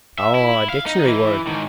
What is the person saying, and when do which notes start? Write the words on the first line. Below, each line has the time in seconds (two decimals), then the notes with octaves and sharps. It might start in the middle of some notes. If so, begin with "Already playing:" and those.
Oh, a dictionary word.
0.18 E5
0.35 E4
0.70 F5
0.86 D#4
1.05 E3
1.47 G#2 D#3